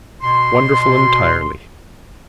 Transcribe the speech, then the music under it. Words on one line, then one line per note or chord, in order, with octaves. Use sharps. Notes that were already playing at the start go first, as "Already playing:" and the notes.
Wonderful entirely.
B2 C6